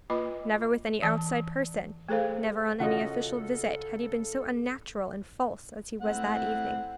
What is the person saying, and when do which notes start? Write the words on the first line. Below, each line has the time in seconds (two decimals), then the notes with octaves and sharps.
Never with any outside person, never on any official visit had he been so unnatural and false as he was that evening.
0.10 A#3 F4 B4 D#5 B5 D6
1.02 E3 A5
2.09 A3 G#4 A4 C5 F5
2.80 C#3 F4 F#4 A4 D#5 F#5
6.01 A3 C4 E4 F#5